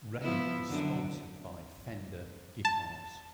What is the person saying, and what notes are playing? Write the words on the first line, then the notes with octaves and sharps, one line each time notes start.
Ray is sponsored by Fender Guitars.
F3 B3 E4
F#2 D3
A5